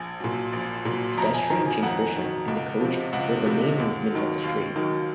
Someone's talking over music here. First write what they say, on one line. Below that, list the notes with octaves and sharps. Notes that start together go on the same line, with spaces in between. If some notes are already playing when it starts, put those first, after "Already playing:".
Pedestrian, Jinrikisha and coach were the main movement on the street.
Already playing: A#1 G#5
A#2 F#3
A#1
A#2 F#3
F2 A#5
G#5
D#3 F#3 A#5
G#5
F2 F#5
D#3 F#3
C#2
C3 F3
C#2 F#5
C3 F3
D#2
D#3 F#3
D#2 F5
D#3 F#3